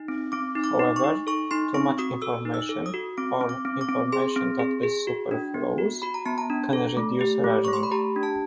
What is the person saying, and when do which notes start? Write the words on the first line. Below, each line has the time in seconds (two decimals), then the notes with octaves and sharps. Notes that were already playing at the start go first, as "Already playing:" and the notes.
However, too much information, or information that is superfluous, can reduce learning.
Already playing: D#4
0.08 C4
0.32 C4 D6
0.55 D#4
0.64 D6
0.79 D#4
0.96 C#6
1.04 D#4
1.27 A4 C#6
1.51 D#4 C6
1.74 C4 C#6
1.98 F#4 D#6
2.22 A4 E6
2.45 D#4
2.54 E6
2.69 A4
2.86 D#6
2.94 F#4
3.17 C4 D6
3.41 C4
3.49 D6
3.65 C4
3.81 D6
3.89 C4
4.12 G#4 C6
4.36 C4
4.59 G#4
4.83 G#4
5.07 F#4
5.31 D4
5.54 B3
5.78 F#4
6.02 F#4 B5
6.14 A#5
6.25 B3 A5
6.38 A#5
6.50 D4
6.73 A4
6.97 A3
7.21 G4
7.44 A3
7.65 A3 C#6
7.73 C6
7.83 B5
7.92 G4 A#5
8.16 D4
8.23 A5